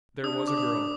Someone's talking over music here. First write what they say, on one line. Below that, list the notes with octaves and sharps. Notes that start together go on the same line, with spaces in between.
There was a girl.
D4 D#6
D6
D#6